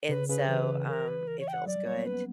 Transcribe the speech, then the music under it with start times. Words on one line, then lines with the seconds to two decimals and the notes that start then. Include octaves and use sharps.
And so, um, it feels good.
0.09 C#3 B4
0.29 C#3 B4
0.48 E3 B4
0.88 A#4
1.08 B4
1.27 A#4
1.40 C#5
1.48 G5
1.53 F#5
1.66 F#3 D5
1.76 G3
1.86 A#3 C#5
1.96 B3
2.04 C#4 B4
2.13 B3